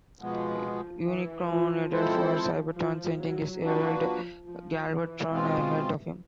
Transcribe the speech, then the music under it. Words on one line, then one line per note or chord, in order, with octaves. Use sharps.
Unicron headed for Cybertron sending his herald, Galvatron, ahead of him.
B2 F3 G#3 B3
E3
F3
F3 G#3 C4 E4 A4 C5
F3
F#3
F3 A#3 D4 F#4 B4
F3
E3
B2 G#3 C4 F4